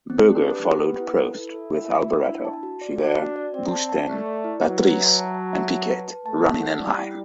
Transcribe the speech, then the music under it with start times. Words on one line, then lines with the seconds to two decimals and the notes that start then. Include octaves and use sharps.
Berger followed Prost with Alboreto, Cheever, Boutsen, Patrese and Piquet running in line.
0.10 C4
0.28 D4 G4
0.45 B4
0.64 G4
0.82 B3 B4
1.00 E4
1.18 B4
1.36 E4 A4
1.54 A4
1.73 E5
1.90 F#4
2.08 E5
2.27 D4
2.45 A5
2.63 F#4
2.81 D5
2.99 D4 F#4
3.18 F#4
3.36 D5
3.54 C4 D5
3.72 A5
3.89 A5
4.07 A3 D5
4.26 D5
4.44 E4
4.62 F#3 B4
4.81 B4
4.99 E5
5.17 A5
5.34 A5
5.53 E5
5.70 A5
5.89 B4
6.07 A5
6.25 A3 A5
6.44 A5
6.61 F#5
6.80 G3 D5
6.98 E4